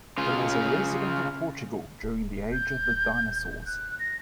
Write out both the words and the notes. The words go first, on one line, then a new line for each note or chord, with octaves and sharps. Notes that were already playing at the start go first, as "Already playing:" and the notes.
It was a resident of Portugal during the age of the dinosaurs.
C#3 F4
D1
D#1 G6
F#6
A#6